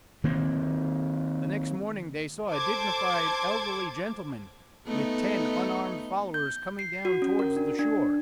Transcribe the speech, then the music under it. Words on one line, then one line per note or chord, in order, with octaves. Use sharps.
The next morning they saw a dignified, elderly gentleman with ten unarmed followers coming down towards the shore.
D#3 A#3 C4
A4 C5 A5 D6 G#6
A3 B3 D#4
G6
C7
F#4
C#4
A#4
D4
D4